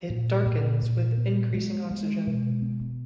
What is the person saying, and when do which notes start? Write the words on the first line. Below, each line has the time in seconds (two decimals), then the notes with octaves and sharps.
It darkens with increasing oxygen.
0.10 A#2
0.46 A#2
0.82 A#2
1.17 B3
1.54 G#3
1.91 G#3
2.27 B2
2.62 B3